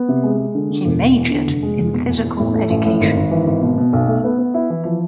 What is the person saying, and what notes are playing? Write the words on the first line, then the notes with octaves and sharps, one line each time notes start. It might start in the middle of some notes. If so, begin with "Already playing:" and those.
He majored in physical education.
Already playing: B3
C3
G#3
G#3
D3
D3
E1
E1
E2
D3
F1
G#3
F1
B2
E2
E2
A2
A3
A1
A2
G#1
G#1
E3
G#1
B2
B2
B1
A3
B3
B3
E4
E3
F3